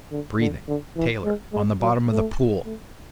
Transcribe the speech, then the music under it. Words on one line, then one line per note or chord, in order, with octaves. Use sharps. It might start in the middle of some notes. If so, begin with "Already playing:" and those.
Breathing, Taylor, on the bottom of the pool!
D3
D3
D3
E3
G#3
G#3
F#3
A3
A3